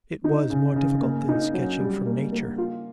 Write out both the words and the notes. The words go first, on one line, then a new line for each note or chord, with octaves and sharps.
It was more difficult than sketching from nature.
D#4
C#3
C#3
A#3
D#4
F#3
G3
A#3
A#3
F4